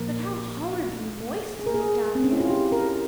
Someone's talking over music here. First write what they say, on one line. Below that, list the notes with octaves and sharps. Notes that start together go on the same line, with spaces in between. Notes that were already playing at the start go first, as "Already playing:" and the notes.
But how horribly moist it is down here!
Already playing: A#2 F3 A#3 A#4
G#4
A#4
G#4
C4
C#4
E4
F4
G4
A#4